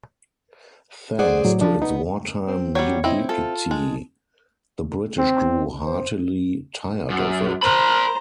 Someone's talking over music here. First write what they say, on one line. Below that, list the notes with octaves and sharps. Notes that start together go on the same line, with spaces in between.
Thanks to its wartime ubiquity, the British grew heartily tired of it.
G#4 C5 D5 F#5
A2 F#3
F3 D4 A5
B3 D#4
C4
F#3 G3 C#5 G5
C4 E4 D#5
F4 A4
G#3
C4
C5
F#2
A#4 C5 A#5 B5